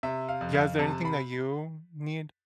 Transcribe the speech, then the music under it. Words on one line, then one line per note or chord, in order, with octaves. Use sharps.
yeah is there anything that you need
C3 E5
F5
F2
F5
C3 A5
B5